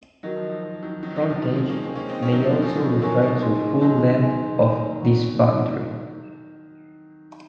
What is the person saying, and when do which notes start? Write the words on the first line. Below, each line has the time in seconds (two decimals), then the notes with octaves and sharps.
Frontage may also refer to the full length of this boundary.
0.23 D#3 F#3 F#4 A#4 D#5
0.36 F3
0.49 F3
0.63 F3 F#4 A#4 D#5
0.82 D#3 F#3
1.03 D#3 F#3 F#4 A#4 D#5
1.16 D#3 F#3
1.30 F3
1.42 F3 F#4 A#4 D#5
1.56 F3 G#3
1.69 A#3 C#4
1.82 G#3 C4 A#4 C#5 G#5 C#6
1.95 A#3 C#4
2.09 C4 D#4
2.22 A#3 C#4 A#4 C#5 G#5 C#6
2.32 D#3 F#3
2.43 F3
2.53 D#3
2.62 F3 A#4 C#5 G#5 C#6
2.75 D#3 F#3
3.02 F#3 A#3 A#4 C#5 G#5 C#6
3.22 F3
3.42 D#4 G#4 D#5 G#5 C6
3.81 D#3 F#3 D#4 G#4 D#5 G#5 C6
4.21 D#4 G#4 D#5 G#5 C6
4.61 D#4 G#4 D#5 G#5 C6
5.01 C#5 F#5 A#5 C#6